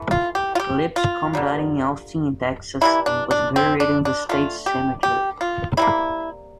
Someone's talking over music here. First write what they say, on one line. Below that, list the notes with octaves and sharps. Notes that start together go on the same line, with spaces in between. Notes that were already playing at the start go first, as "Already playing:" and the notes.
Lipscomb died in Austin, Texas and was buried in the State Cemetery.
Already playing: E3 A3
F4
G4
F4
G4
F4
D3 G3 A#3
E3 G3 A#3 E4
D4
D4
C4
D4
D4
D3 A3 F4
G4
G4
F4
C3 G3 A#3 E4